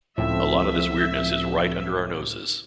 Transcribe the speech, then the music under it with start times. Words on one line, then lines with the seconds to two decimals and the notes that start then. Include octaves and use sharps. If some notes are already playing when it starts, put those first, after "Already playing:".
A lot of this weirdness is right under our noses.
0.18 C#2 A2 F3 C4 A4 E5